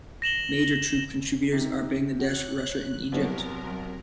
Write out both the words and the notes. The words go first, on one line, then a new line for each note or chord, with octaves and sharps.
Major troop contributors are Bangladesh, Russia and Egypt.
A#6 E7 F#7 G7
C3 D#4
F#4 C#5 F#6
C2 F#3 B3 C4 A#4 C#5